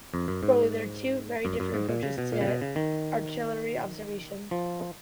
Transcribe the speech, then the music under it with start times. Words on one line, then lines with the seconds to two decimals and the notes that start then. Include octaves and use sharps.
Broadly, there are two very different approaches to artillery observation.
0.14 F2
0.28 F#2
0.43 G#2
1.45 F#2
1.60 F#2
1.74 G#2
1.89 A#2
2.03 C#3
2.18 B2
2.32 A#2
2.41 C#3
2.47 B2
2.62 C#3
2.76 D#3
4.51 F3